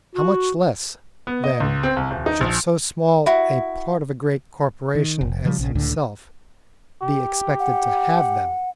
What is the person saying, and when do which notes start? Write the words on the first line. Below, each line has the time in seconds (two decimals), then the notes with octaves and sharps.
How much less, then, should so small a part of a great corporation as himself be expected to have them?
0.15 F#4
1.27 B3
1.44 D#5
1.60 C#2
1.83 C4
1.96 C2
2.11 D#1
2.26 D#4
2.41 A#1
3.26 E4 F#4
4.95 D#3
5.21 F1
5.45 C#3 F3 G3
5.59 A#1 C#3
5.75 C#2 A2 D3
7.02 G4
7.60 F#5